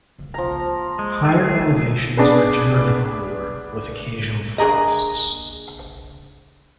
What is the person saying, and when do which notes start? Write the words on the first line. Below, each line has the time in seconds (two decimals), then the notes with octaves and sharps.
Higher elevations are generally cooler, with occasional frosts.
0.34 F3 A#5
0.99 G#3
1.25 A3 G#4
2.17 B3 D4 G#4 B4
4.58 D4 G#4 A#4 D#5